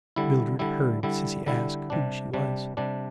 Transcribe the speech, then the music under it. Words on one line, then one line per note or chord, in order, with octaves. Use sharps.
Mildred heard Cissy ask who she was.
D3 G3 E4
D3 G3 E4
D3 G3 E4
D3 G3 E4
C3 G3 D4
C3 G3 D4
C3 G3 D4